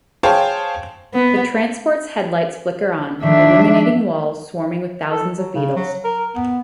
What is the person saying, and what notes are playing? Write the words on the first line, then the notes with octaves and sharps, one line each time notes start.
The transport's headlights flicker on, illuminating walls swarming with thousands of beetles.
G#4 C5 C#5 F5 G5 A5
B3
D#3 F3 A3 D4 E5
A4
F#3
C#3
F#3
A#4
B3